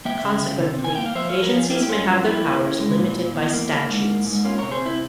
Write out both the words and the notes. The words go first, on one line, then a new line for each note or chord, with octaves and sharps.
Consequently, agencies may have their powers limited by statutes.
A#3 E5 G5
C#3
C#3
C3
C3
G#5
A#3 G5
F5
F3 C5 E5
F3 C#5 F5
A#4 C#5
F3 F4 G#4
A#3 E4 G4
G4
G2 C#4 F4
F3 C#4 F4
A#3 E4 G4
A#3
C#3
G#3
A#2
A#2
E2
A#3
A#3
G#2
A#3
G#2
A#3 C#4 F4
C3 A#4 C#5
G#4 C5
C3 C4 E4